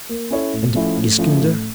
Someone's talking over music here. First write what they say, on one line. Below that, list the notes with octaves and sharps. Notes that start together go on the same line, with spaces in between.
And Iskander?
A#3
C#4 E4 A4 C#5
A2
F3 A3 C#4 E4
A2
F3 A3 C#4 E4
A2